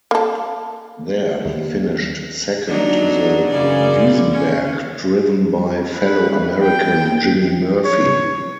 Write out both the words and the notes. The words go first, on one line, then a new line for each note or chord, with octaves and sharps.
There, he finished second to the Duesenberg driven by fellow American, Jimmy Murphy.
A#3 A4
D#2
F#3 D4 D#4
F#2 C#3 D5
C#4
B4
G5
C#5